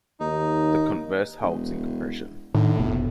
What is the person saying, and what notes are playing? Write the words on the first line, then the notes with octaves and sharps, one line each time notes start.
The converse holds in compression.
D#2 D#4
E1
A2 D3 D#3
F1 A#1 B2